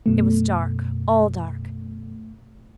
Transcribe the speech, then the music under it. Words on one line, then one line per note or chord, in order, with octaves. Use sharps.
It was dark--all dark.
F#2 B2 A3